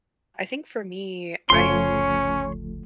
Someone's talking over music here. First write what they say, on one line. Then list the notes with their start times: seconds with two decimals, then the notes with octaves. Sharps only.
I think for me, I am
1.50 F#1 D2 F3 A3 C#4 C#5 C6